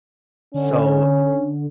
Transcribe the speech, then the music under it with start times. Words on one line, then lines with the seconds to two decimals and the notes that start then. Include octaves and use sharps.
So, eh eh
0.54 D3 C#4